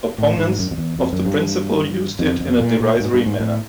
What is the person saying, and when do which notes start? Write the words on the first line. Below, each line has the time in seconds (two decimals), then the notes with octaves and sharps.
Opponents of the principle used it in a derisory manner.
0.18 A2
0.38 G#2
0.59 F#2
0.71 F2
0.78 E2
0.99 F2
1.13 F#2
1.25 G2
2.19 F2
2.40 F2
2.59 A#2
2.80 A#2
3.00 G#2
3.13 G2
3.26 G#2
3.40 A2